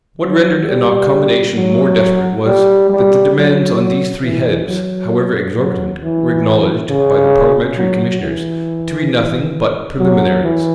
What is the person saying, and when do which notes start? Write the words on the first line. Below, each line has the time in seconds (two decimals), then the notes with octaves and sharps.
What rendered an accommodation more desperate was, that the demands on these three heads, however exorbitant, were acknowledged, by the parliamentary commissioners, to be nothing but preliminaries.
0.22 F#3
0.68 G3
1.55 F#3
2.45 G3
2.89 G3
3.34 F#3
4.22 E3
4.66 F#3
5.55 F#3
6.00 E3
6.89 C#3
7.77 F#3
8.21 E3
9.99 F#3
10.43 E3